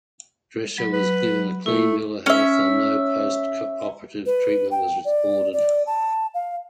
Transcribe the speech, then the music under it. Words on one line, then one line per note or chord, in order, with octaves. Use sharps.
Drescher was given a clean bill of health and no post-operative treatment was ordered.
F#3 B5
B4
A3 E4
C#4 E5
B4
G5
D5
D5
A5
F5